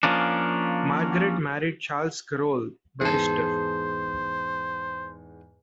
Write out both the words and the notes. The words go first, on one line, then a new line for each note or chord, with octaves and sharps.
Margaret married Charles Carroll, Barrister.
F3 A#3 C#4 D4
E2 G#2 B3 G#4 C5 A5